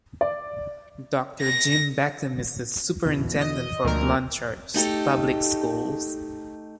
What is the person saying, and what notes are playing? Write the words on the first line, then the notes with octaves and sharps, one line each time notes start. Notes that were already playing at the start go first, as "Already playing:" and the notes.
Doctor Jim Beckham is the Superintendent for Blanchard Public Schools.
D5
A#6
E2 B2 E3
D#5
D2 B2 F3 A#3 A#4
A3 D#4 G4 A4